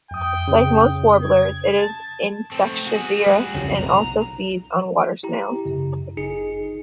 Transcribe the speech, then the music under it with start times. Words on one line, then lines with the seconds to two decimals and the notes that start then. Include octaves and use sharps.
Like most warblers, it is insectivorous and also feeds on water snails.
0.11 F2 G5 D#6
0.48 C#3
1.22 G#6
1.77 A5
2.52 A3 C4
2.86 F#4 G#4
3.26 G3
3.54 C2 F2 C#3
3.77 B1 A#5
5.23 E4 G4 A#5
5.65 F#2 C#3
6.17 G1 D#4 G#4 C#7